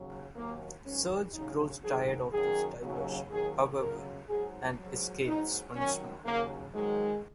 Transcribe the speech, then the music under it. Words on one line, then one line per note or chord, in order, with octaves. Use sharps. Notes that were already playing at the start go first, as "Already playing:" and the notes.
Serge grows tired of this diversion, however, and escapes once more.
Already playing: D#2 C#3 F#3
D#2 D#3 F#3 A#3
G#2 D#3 F#3 C#4
D#2 C#3 F#3 D#4
G#2 D#3 F#3 G#4
F#2 D#3 F#3 G#4
D#2 C#3 F#3
D#2 D#3 F#3 G#4
F#2 C#3 F#3 A#4
G#2 F#3 G#4
G#2 F#3
G#2 F#3 D#4
F#2 D#3 F#3 C#4
D#2 C#3 F#3 A#3
G#2 D#3 F#3 G#3